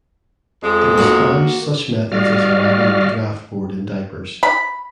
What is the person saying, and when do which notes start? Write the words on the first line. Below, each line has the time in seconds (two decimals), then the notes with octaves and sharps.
It espoused such methods as arriving at the draft board in diapers.
0.63 F2 G#3
0.97 A#3 F#4
2.11 G3 F#4 D5 D#5 F5 F6
4.43 B5